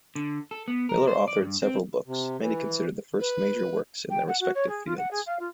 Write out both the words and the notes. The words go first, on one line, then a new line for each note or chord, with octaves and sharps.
Miller authored several books, many considered the first major works in their respective fields.
D3
A4
B3
A#4
C5
D5
G2
C4
C3
E3
B4
G5
F#5
F#4
C#5
G#4
F4
F#5
G#4
F5
F4